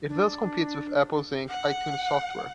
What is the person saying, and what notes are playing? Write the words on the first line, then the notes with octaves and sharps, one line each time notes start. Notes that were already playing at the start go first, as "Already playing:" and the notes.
It thus competes with Apple Inc.'s iTunes software.
D4
F#5